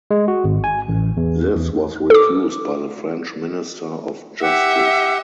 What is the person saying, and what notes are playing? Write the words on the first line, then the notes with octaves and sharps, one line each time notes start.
This was refused by the French Minister of Justice.
G#3
F#4
G#1
G#5
A1
E2
E2
A4 D6
G4 E5 F#5